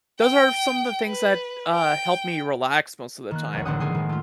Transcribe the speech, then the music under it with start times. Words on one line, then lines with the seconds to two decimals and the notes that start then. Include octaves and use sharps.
Those are some of the things that, uh, help me relax most of the time.
0.20 G5
1.06 B4
1.74 G5
3.31 D#3 A#3 F#6
3.53 F1 C2 C#5 F#5
3.65 A1 D3 C5 F#5 D#6
3.80 D#3 G#3 G#4 C6
3.92 A2 D#3 G#3
4.09 A3 F4